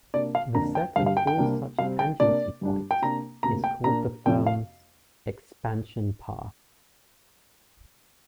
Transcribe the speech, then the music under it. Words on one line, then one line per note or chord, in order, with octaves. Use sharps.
The set of all such tangency points is called the firm's "expansion path".
C3 A#3 D4 D5
F5
F2 D3 A#3 D4 A#5
G5
G2 D3 G3 F5
F5
G5
G5
C2 C3 A#3 D4
C3 G3 C4 F5
G5
C3 A#3 D4 D5
G2 G3 D4
G5
C3 A#3 D4 A#5
D2 C3 A#3 D4 A#5
G5
A#2 A#3 D4 A#5
F2 C3 F3 C4 G5
F5